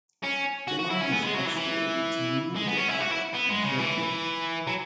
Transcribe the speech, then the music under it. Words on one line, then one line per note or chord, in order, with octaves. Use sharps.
The mine was excavated to remove the fire and filled in.
C#4
F#4
F#4
E4
C#4
B3
G#3
F#3
E3
E3
G#3
B3
C#4
E4
F#4
E4
B3
G#3
C#3
E3
F#3